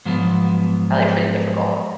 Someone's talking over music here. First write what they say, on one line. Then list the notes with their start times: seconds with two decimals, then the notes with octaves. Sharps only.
probably pretty difficult.
0.05 G#2 F3 F#3 B3